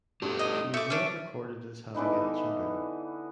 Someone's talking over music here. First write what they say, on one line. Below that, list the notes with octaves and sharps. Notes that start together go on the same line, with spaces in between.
She is not recorded as having any children.
A3 D4 G4
D#5
A3 E5 D6
C#4 D4
D3 E3 B3 D#4